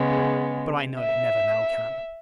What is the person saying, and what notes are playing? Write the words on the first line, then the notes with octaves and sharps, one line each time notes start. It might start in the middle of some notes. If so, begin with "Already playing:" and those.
But, I know, it never now can.
Already playing: C#3 G#3 B3
E5